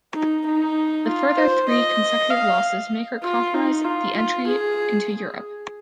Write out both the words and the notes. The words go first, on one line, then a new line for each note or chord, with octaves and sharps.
But the further three consecutive losses make her compromise the entry into Europe.
D#4
D#4
F4
C5
D#5
F5
F4
D#4
F4
F4
G#4